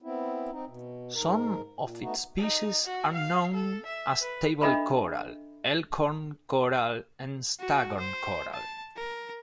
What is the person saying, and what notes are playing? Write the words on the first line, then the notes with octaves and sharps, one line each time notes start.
Some of its species are known as table coral, elkhorn coral, and staghorn coral.
B3 C4 E4
C4 D#4
B2
G#2 A#4
A#2
A3 B3 D#4 F#4
D#4
F#4
F5
A4
E5
B4
D4 A4 D#5 E5 A#5 B5
F#4
C5
A5
A#4